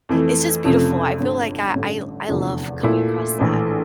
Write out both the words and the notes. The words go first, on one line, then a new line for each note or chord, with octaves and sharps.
it's just beautiful. I feel like I I I love coming across that.
F2 E3 A3
F1 F2 C#3 F3 A3
G1 F2 D3
A1 G2 D3
F1 E2 D3 F3
A#2 A3 E4
A#1 A2 E3 A3